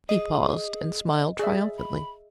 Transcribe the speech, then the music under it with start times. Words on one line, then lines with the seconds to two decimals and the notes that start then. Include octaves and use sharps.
He paused and smiled triumphantly.
0.09 G#4 D#5
1.39 G#4 D5 E5
1.77 B5